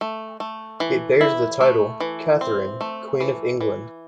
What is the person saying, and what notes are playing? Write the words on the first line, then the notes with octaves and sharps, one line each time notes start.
It bears the title "Katharine Queen of England".
A3
A3
E3
E4
A3
E3
C4
A3
E3
E3